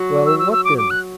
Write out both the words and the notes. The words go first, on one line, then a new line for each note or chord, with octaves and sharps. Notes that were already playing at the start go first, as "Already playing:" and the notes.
"Well, what then?"
Already playing: F#3
E6
E6
E6
D6
D6
F#6